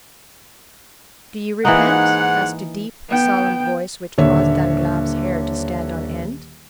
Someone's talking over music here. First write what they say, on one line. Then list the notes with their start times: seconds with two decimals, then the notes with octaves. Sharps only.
"Do you repent?" asked a deep, solemn voice, which caused Danglars' hair to stand on end.
1.65 G#2 E3 A#3 D#4 F#5
3.09 B3 G5
4.18 D#1 D3 A#3 C#5 E5